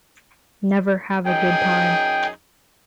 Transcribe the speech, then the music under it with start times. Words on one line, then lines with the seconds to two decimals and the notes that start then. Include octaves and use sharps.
Never have a good time.
1.25 F#2 D#4 G#4 G5